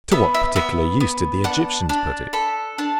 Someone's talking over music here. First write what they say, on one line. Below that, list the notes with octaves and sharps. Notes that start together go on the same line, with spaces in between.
To what particular use did the Egyptians put it?
B3 E5
E5
B3 E5
B3
D4 F#5
D4
A4 B5
D4 A5